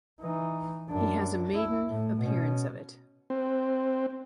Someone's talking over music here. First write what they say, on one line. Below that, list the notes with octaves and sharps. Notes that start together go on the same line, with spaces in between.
He has maiden appearance of it.
E3 D#4
F#2 D4
E4
A2
B2 C#4
C4